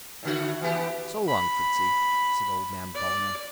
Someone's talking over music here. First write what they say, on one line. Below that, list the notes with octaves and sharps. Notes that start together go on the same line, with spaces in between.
"So long, Fritzy," said old man Ballinger.
A2 D3 F#4
E3 B3 G4
B5
D5